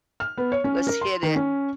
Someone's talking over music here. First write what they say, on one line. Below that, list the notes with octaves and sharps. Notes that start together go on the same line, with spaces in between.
let's hit it,"
F6
B3
C#5
C#4
A#4
C6
D#3
C#4